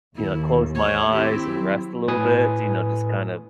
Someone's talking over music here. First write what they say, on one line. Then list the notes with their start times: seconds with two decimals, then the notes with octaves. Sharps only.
you know, close my eyes and rest a little bit, you know, just kind of
0.16 D#2 E4
0.75 C#5
1.12 C4 E4 G4
1.54 F#3
2.08 A2 B4 G#5 D#6